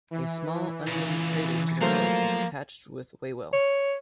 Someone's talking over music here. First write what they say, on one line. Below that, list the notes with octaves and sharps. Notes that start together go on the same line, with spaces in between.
A small unnamed crater to the north is attached with Whewell.
E3
A#2 C#3
F3 F#3 A3 A#3 C5 F5
C#5